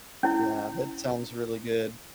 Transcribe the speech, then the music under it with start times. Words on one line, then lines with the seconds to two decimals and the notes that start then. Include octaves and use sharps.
Yeah, that sounds really good.
0.23 C#4 E4